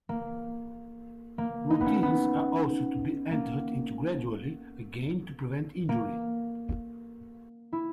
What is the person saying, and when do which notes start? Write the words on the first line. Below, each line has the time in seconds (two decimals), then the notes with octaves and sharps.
Routines are also to be entered into gradually, again to prevent injury.
0.09 A#3
1.38 A#3
1.70 D#4
1.81 B3
1.86 C#4
2.03 B3
3.31 A#3
5.89 A#3
7.73 E4